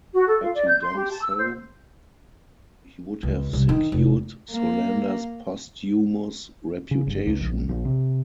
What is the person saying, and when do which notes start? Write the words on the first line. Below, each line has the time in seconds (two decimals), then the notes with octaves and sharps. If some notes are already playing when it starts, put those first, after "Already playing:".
Had he done so, he would have secured Solander's posthumous reputation.
0.12 F#4
0.27 A4
0.41 F4
0.54 D5
0.67 G6
0.81 C6
0.95 G4
1.10 A5
1.22 E6
1.38 C5
3.23 C#2
3.53 C2
3.69 D#3
3.92 F1
4.50 A#3
6.91 C#3
7.07 G1
7.26 C#2
7.41 A#1
7.69 A#1
7.85 C3